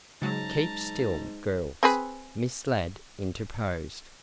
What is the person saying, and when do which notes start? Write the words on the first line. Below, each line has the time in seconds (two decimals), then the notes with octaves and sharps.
"Keep still, girls," Miss Ladd interposed.
0.22 G#2 C#3 F#3 G#3 A5 A#5
1.83 C4 G#4 B4